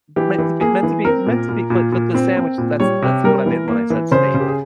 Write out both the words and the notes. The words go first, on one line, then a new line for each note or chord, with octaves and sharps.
w meant to be meant to be meant to be but but the sandwich that's that's what I meant when I said "stable".
E3 G4
E3
A#3 G#4
E3
C4 A#4
A#2
A#2
A#2
A#2
C4
C4
A#2
G3 C#5
C3
G3 A#4
E3
A#3
E3
C#3 C5
C#3
G4
G#4